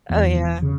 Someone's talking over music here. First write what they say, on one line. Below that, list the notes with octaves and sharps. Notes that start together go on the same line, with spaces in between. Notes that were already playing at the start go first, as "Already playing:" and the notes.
Oh, yeah.
E2
E1
C#3